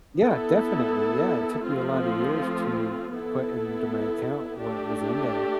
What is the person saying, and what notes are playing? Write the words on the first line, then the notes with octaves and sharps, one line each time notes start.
Yeah, definitely, yeah, it took me a lotta years to put into my account what was in there,
B3 E4 A4
F3 A3 C4 F4
B3 E4 A4
A3 D4 G4